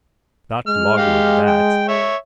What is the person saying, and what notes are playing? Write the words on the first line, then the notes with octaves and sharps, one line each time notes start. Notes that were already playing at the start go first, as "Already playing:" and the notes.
Not logwood that.
G#3 F6
G4 F5
G5
C#5 E5